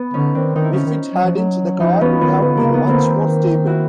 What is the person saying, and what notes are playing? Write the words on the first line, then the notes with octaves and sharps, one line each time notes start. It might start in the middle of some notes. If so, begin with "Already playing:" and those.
If it hadn't, the car would have been much more stable.
Already playing: B3
D3 C#4 D#4
D#3 C4 D4
D#3 D#4
E4
D3 C#4 D#4
D#3
F#3
F3
F#3
F3 D#4 F4
E3 B3 C#4
D#3 B3
D3 B3
A#3
C#3
B3
D3 A#3 C4
D#3
E4 F#4